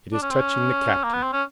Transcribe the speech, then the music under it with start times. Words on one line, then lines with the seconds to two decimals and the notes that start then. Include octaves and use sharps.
It is touching the Captain.
0.13 D4
0.22 C#4
0.31 C4
0.39 C#4
1.04 A#3
1.13 B3
1.23 C4
1.33 C#4